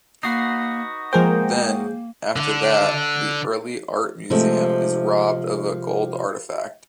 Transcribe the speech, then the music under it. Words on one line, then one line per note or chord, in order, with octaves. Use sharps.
Then, after that, the Early Art Museum is robbed of a gold artifact.
A#3 D#4 F#4 B4 C7
F3 G#3 A#3 G#4 A#4 C5 G5
D3 D4
C3 F3 G#3 A3